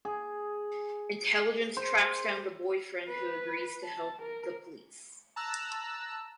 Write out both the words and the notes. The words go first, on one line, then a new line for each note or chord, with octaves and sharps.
Intelligence tracks down the boyfriend who agrees to help the police.
G#4
C5
B4
A5
A#4
A5 A#5 E6 F#6